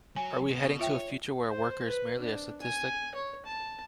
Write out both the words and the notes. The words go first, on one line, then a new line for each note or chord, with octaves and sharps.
Are we heading to a future where a worker is merely a statistic?
F#3 G#5
B2
F4 C#5 E5 G5
C5
B4
D4
G#5
C#5
A5